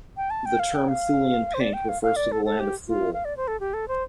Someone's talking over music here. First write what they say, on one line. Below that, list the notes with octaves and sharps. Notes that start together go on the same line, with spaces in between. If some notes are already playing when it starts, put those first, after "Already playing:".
The term "Thulian pink" refers to the land of Thule.
G5
A5
G5
F5
G5
F5
C5
D5
G5
F5
F5
D5
A4
A4
G4
F4
F5
D5
C5
A4
G4
A4
C5